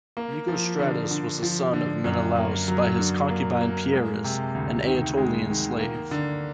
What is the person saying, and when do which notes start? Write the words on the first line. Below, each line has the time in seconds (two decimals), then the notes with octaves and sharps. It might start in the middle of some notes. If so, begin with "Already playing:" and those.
Nicostratus was a son of Menelaus by his concubine Pieris, an Aetolian slave.
0.17 A#3
0.48 F3
0.79 D3
1.11 D3
1.43 F3
1.73 D3
2.04 F#2
2.36 A#3
2.68 F#3
2.99 D3
3.30 A#3
3.61 A#3
3.93 G#3
4.24 C3
4.55 D2
4.87 D#3
5.17 G#3
5.49 D#3
5.80 A#3
6.11 D3